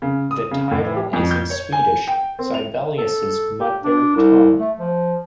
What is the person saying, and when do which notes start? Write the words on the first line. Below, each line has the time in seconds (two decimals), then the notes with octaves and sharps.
The title is in Swedish, Sibelius's mother tongue.
0.02 C#3
0.31 D#6
0.51 C#3
0.71 A2
0.96 G4
1.13 F2
1.31 G6
1.50 C#5
1.72 G#5
2.08 G5
2.39 C4
2.54 F7
2.98 A4
3.61 G4
3.83 D4
4.16 C2
4.60 A3
4.79 F3